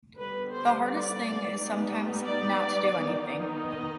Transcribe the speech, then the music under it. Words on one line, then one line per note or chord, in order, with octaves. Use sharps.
The hardest thing is, sometimes, not to do anything.
D3 G3 B3 B4
C5
D5
G3 B3 D#4
D5
D#3 B3 D#4
D#5